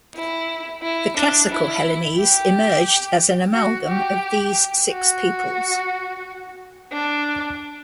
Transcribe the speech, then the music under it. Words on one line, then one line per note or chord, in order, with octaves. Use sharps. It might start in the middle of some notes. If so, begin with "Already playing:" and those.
The classical Hellenes emerged as an amalgam of these six peoples.
E4
E4
D4
E4
G4
F#4
G4
F#4
D4